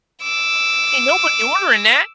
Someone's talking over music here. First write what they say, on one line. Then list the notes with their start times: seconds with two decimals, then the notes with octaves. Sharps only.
Ain't nobody ordering that."
0.23 D6 E6